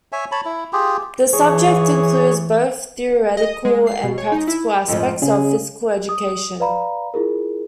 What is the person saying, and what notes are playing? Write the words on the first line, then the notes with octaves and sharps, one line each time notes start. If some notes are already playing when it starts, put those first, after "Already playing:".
This subject includes both theoretical and practical aspects of Physical Education.
C#5 E5 G#5
C#5 A5 B5
E4
F4 G4 G#4
E3 G#4 C#5
D#5
G#3
C7
B2
C#5
D#4
E4
F2 G#2 F3
C#3 G#4
D#6
B4 D5 F5 A#5 B5
E4 F4 G#4 A#4